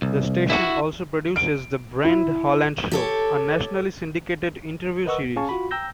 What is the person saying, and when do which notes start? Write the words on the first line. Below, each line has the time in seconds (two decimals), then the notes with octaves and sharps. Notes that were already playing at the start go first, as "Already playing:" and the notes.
The station also produces "The Brent Holland Show", a nationally syndicated interview series.
0.02 C2
0.50 E4 F#4
1.36 D7
2.05 E4
2.92 G4 A4 C#5
5.06 A#4 B4 D#5 F#5 C#6 E6
5.22 B3
5.36 C#4 G#4 F5 G#5 A5 C#6
5.49 F4 F#4 B5
5.71 G5 A#5 E6 G6 A#6